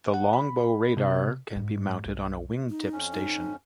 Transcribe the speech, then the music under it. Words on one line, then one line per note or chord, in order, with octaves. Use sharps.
The Longbow radar can be mounted on a wingtip station.
F#5
B5
C3
G#2
B1
D#4
F2 C#4
D#4